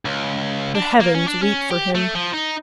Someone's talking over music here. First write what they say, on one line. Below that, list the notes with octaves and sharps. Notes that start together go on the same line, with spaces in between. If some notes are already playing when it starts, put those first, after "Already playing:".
The heavens weep for him.
C#2
D4
A#3
C#4
D4
C#4
G4
A3
F3
D#4